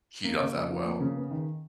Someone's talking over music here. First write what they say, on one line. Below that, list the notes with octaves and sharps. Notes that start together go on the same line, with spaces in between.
heat up that well.
A#3
C#3
F2
F3
A#3
C#3
B3
D#3